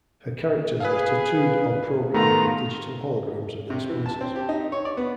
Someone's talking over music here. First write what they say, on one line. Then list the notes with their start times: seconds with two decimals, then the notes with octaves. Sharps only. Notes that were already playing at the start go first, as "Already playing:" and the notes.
Her characters are tattooed or programmed with digital holograms of their sponsors.
0.80 G#4 B4 F5
2.14 D#3 A3 B3 F4 A#5
3.70 C3
3.89 E3
4.06 A5
4.21 C4
4.36 G4
4.49 D#4
4.72 C#5
4.85 D5
4.97 B3